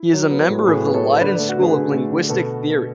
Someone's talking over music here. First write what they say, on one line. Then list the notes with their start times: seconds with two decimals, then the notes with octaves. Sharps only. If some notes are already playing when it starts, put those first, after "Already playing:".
He is a member of the Leiden School of linguistic theory.
Already playing: E4
0.13 F#3
0.30 B3
0.49 A2
0.67 A2 G#4 B4
0.85 B3
0.94 A4 C#5
1.04 B3
1.21 D3 B4 D5
1.35 A3 B4 D5
1.48 F#4 A4
1.58 D3 G#4 B4
1.76 D3
1.94 A3
2.11 D3
2.29 B2 F#4 A4